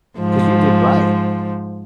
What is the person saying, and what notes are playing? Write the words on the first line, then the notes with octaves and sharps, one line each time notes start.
'Cause you did right.
G#2 F3